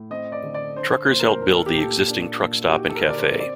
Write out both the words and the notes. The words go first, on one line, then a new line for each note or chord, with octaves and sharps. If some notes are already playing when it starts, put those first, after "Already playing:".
Truckers helped build the existing truck stop and cafe.
Already playing: A2
C4 D#5
D5
D3
D5
D4 C5
A#2 C5
A#4
C5
D4 A#4
A4
G4
A#2 A4
D4
A#2
F#4
D#4 G4
A4
A#4
D3 D5
C5
C4 D5